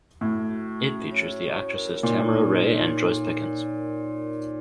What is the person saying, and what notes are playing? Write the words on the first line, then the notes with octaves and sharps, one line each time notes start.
It features the actresses Tamara Rey and Joyce Pickens.
A2 F#4
F#4
C#4
C#5
C#5
A#4
A#2 D#4
D#4